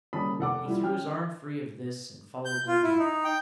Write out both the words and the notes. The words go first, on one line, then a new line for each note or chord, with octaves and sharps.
He threw his arm free of this and followed Lincoln.
F#1 G3 C#4 A5 B5 D#6
F1 A4 F#5 D6
G3 E4 F4
C#4 G5 F6
G6
F4
E4
D#4
G5